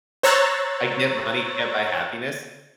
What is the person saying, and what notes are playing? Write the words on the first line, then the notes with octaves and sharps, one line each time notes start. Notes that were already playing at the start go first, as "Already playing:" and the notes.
I get money can't buy happiness,
C5 C#5 A#5 E6 F#6 A6